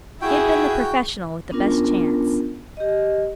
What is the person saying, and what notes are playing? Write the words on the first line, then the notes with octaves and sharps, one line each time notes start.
He had been the professional with the best chance.
E4 F#4 G#4 G5
B3 C#4 D4 F4 A#4
G4 D#5